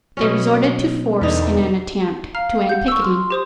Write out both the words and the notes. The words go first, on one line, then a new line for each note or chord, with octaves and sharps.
They resorted to force in an attempt to end picketing.
B2 F#3 C#4
E2 D3 D#4 B4
F5 A#5 F6 C7
F#5 G6
C#6 E6
C6 F6
G4 C5 D#6